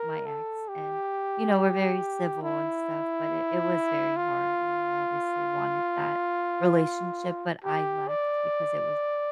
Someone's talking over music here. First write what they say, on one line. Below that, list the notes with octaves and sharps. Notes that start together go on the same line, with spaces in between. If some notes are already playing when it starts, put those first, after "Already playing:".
my ex. And, you know, we're very civil and stuff, but it it was very hard. You know, I obviously wanted that relationship, but I left because it was
Already playing: A#4
A4
G4
E4
F4
G4
D5